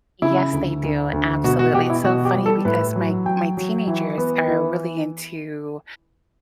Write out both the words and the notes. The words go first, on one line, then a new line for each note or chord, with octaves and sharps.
yes they do, absolutely, it's so funny because my my teenagers are really into,
C#3 E4
D2
D2
D2
B2 F#4
F#4
B2 G4
E4
B2 F#4
G4
G3
A4
A2 B4
F#3
F#3 G5
F#3
E3
B3
E3